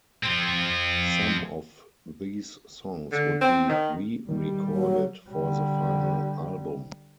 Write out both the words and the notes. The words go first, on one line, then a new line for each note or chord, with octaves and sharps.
Some of these songs would be re-recorded for the final album.
F3 C4
D3
C4
D#3
D#3 G3
F#3
D3 G3